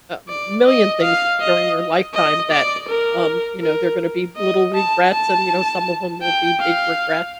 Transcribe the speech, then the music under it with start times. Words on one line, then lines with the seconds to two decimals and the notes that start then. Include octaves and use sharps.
a million things during your lifetime that, um, you know, they're gonna be little regrets, and, you know, some of 'em will be big regrets,
0.28 D5
0.66 D#5
1.02 F5
1.40 D#5
2.14 D#5
2.51 D5
2.89 A#4
3.62 A#4
4.36 D#5
4.74 A5
5.11 A5
6.22 G5
6.60 F5